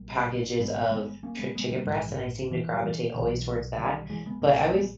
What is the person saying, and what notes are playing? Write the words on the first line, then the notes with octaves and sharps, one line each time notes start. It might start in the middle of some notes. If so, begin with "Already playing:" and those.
packages of chi chicken breast, and I seem to gravitate always towards that, but I always
Already playing: A#1 G3 A#3
G#1 G#2 G#3 B3
G#3 B3
A#3 C#4
G#3 B3
G#3 B3
G3 A#3
A#1 G#2 E3 G#3
E3
G3
E3
B1 B2 E3
D#3 G3
E3 G#3
G#3 B3
A#1 A#2 A#3 C#4
G#3 B3